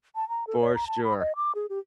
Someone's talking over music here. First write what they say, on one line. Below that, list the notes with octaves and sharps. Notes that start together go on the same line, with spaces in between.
For sure.
A5
A#5
A4
C#5
A#5
A5
B5
D#5
D6
G#4
G4